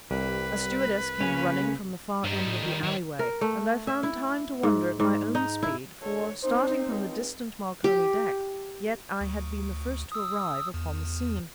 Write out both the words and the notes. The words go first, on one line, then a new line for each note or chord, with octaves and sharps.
A stewardess came running from the far end of the alleyway, and I found time to wonder at my own speed; for, starting from the distant Marconi deck, yet I had been the first to arrive upon the scene.
C2 G3 B4
C#3 A#3 C#4 G#4
G2 G3 D#4
A2
D#3
E3 C#5
A#4
A3
E5
E4
G#2
G#2
D#4
E4
D2 A4 C#5
C4 D#4 C5
C#2
G4
D2
D#6 E6
E2